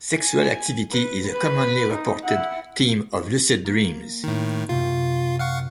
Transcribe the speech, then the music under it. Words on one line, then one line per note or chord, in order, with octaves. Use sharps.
Sexual activity is a commonly reported theme of lucid dreams.
G#5
B4
B4
D#4
E4 F#5
A#3
A2 D#3
F#2 C3 F4
F5 F#5 C#6